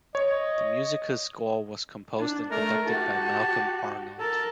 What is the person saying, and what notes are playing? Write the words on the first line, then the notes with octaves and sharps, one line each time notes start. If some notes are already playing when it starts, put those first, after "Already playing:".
The musical score was composed and conducted by Malcolm Arnold.
C#5 D#5
D4
A3 A#4
F#4 G4 A5
A4 A#4 A5